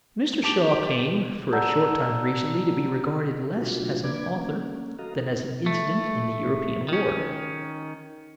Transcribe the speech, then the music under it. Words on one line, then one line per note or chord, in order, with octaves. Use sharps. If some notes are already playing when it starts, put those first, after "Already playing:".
Mr. Shaw came for a short time recently to be regarded less as an author than as an incident in the European War.
G4 A5 D6 D7
D5 F#5 A5 A#5 E6 G6
B2 F#3 A3 D4 F4 F#4
A#3 D4 B4 D5 D6 G#6
A#3 C#4
F#4 A4 D#5 F5 A#5
D#4 A4
A3
D#3 C#4